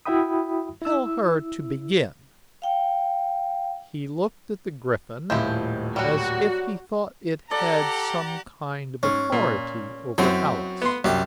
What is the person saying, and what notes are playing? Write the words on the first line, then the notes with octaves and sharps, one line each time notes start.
Tell her to begin.' He looked at the Gryphon as if he thought it had some kind of authority over Alice.
E4 F#4 E5 G5 B5 D#6
E4 E6
F5 G5
D#1 A2 F3 G#3 E4 G6
F#3 G3 F#4
G4 A4 D5 F#5 A#5
G#2 C#4
A#2
F#2 F#3 C4 E4 B5
B3 C6
C2 F#2 G4